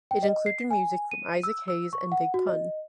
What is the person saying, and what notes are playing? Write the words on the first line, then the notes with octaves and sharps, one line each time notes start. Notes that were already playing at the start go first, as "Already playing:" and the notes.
It included music from Isaac Hayes and Big Pun.
G5
D#5
C7
G#5
D#7
E6
E6
C#6
F#5
F#4
D#5